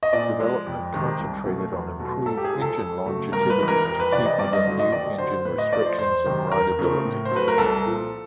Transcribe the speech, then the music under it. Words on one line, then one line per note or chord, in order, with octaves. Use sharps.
Development concentrated on improving engine longevity, to keep within new engine restrictions, and rideability.
D#5
A#2 D5
F3 G#3
F2
C3 D#3 G#3
C2
B2 F#3 A3
E2
B2 F#3 A3
G#2 A4
G4
G#4
F3 G#3
A4
F2
C#3 F#3 A3
G2 A#4
B4
E3 G#3
A#4
F2 A#4
B4
C3 E3 D5
D#5
G2 D5
D#5
D3 F#3 A3
D#5
D#2 D5
D3 F#3 C5
A2 B4
D#5
F3 A3 D5
C5
E2 C5
C3 D#3 G#3
E2 A#4
C#3 F3 A3
A2
C5
F#3 A3 B4
A#4
C2 A4
A#2 F3